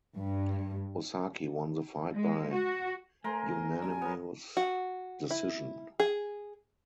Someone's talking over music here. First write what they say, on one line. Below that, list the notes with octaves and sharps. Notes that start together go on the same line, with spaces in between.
Osaki won the fight by unanimous decision.
G2
G#3
F#4
A3 A#4 C5 G#5 A#5 C6
A#2 G3 D4 G#5
F#3 B3 A#4
F#4
E4
G#4